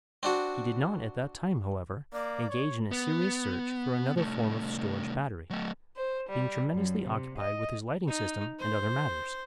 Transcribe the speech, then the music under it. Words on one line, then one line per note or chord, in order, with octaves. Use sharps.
He did not at that time, however, engage in a serious search for another form of storage battery, being tremendously occupied with his lighting system and other matters.
C4 D4 F#4
A#3 D5
C#5
B3
C2 A3
F#3 A3
C5
G3
F#2
C3
D#5
D#4
C5